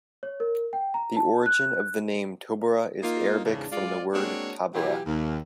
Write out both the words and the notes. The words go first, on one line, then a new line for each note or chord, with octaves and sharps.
The origin of the name "Tobarra" is Arabic from the word "Tabarrah".
C#5
A#4
G5
A#5
A5
F#6
A#3 D#4 F4
E2 G#2 C#3 D4
G#3 F4 D5
G#3 A#3 C4 D4 F#4 C#5
B2 E3 F#3 F4 G4
D#2